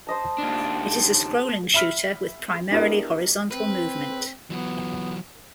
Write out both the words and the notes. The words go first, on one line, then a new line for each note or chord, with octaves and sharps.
It is a scrolling shooter with primarily horizontal movement.
C5 D#5 A5
D#2 D4
E5 B5 F6 B6
B3 D4 E4 G4 A#4 D#5
C4 B4
E3 F#3 B3